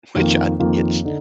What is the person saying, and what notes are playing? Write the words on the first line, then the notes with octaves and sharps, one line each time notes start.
which at it's
F2 D#3 A#3 F4
F2 D#3 A#3 F4
D3 D#4